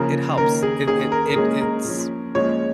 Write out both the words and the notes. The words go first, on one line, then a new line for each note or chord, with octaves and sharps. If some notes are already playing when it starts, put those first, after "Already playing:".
it helps. It it it it's
Already playing: C#3 F3 A#3 C#4 A#4
D#3 A#3 C#4 A#4
G#4
D#3 A#3 C#4 G#4
A#4
A#4
A#2 G#3 C#4 G#4
A#4
A#2 F3 C#4
A#2 F3 G#3 C#4 C#5